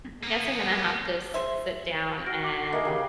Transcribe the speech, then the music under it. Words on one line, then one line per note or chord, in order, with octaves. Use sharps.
I guess I'm gonna have to s sit down and
A#3 B3
G#4 C5 E5
F#4 F6 A#6 D7
D6 F#7
A#3 G#4 A#4 D#5 E5
C#3 G4 F5 G5 A#5